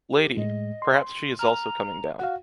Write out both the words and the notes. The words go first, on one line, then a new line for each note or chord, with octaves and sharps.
Lady! Perhaps she is also coming down...
G4
A2 G#3 D#5
C6
A#5 F6
F#4 F5 F#5